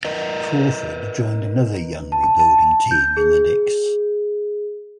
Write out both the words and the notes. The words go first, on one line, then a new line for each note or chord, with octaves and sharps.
Crawford joined another young rebuilding team in the Knicks.
A#4 B4 D#5
A5
A5
G6
G#4